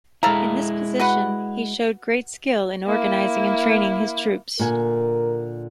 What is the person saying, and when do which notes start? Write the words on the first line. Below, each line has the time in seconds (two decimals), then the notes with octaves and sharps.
In this position, he showed great skill in organizing and training his troops.
0.23 G#3 E4 A4 F5 A#5
1.00 F#4 B4 F#5
2.86 A#3 E4
4.59 A#2 D3 A#4 G#5